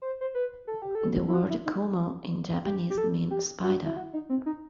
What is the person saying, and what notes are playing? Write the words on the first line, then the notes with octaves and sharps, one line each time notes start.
The word "kumo" in Japanese means "spider".
C5
C5
B4
A4
G4
A4
E4
F#4
E4
D#4
G4
G4
A4
G4
F#4
E4
F#4
D#4
C4
D#4